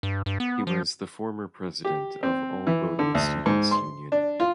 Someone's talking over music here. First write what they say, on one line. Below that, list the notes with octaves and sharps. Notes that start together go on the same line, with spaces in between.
He was the former president of All Bodo Students Union.
G2
G2
B3
F3
G4
C4
E3
D3
D2
G#2
C6
D4
F4